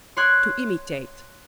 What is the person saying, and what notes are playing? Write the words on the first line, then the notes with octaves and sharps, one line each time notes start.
To imitate.
C#5 C6 D6 F#6 G#6